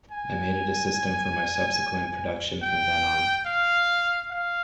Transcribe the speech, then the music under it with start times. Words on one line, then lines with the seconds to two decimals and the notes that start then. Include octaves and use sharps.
I made it a system for my subsequent production from then on.
0.11 G#5
2.63 G5
3.46 F5
4.31 F5